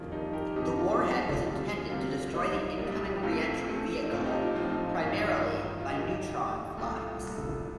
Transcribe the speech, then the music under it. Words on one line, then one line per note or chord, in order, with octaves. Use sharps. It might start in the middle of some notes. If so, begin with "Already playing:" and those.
The warhead was intended to destroy the incoming reentry vehicle primarily by neutron flux.
Already playing: F2 D#3 G3 A#3 F4
F2 D#3 G3 A#3 D#4
G4 A#4
F2 C3 F3 D#4 G4
F4
F2 C3 F3 F4
F4
D#4
F4
D2 C3 G3 C4
D2 C3 G3 C4 F4
C2 A#2 G3 A#3 D#4
C2 A#2 G3 A#3
G4
A#1 A#2 A3 C4 F4
A#1 A#2 A3 C4
D#4
A#1 A2 F3 C4 F4
D#4 G4
F4
A#1 A2 F3 C4 F4
D#4
F4
A1 G2 D#3 A#3 F4
D#4
F4
A1 G2 D#3 A#3
F4
A1 G2 D3 D#4 G4
A1 G2 D3
C2 A#2 A3 F4 A4
C2 A#2 A3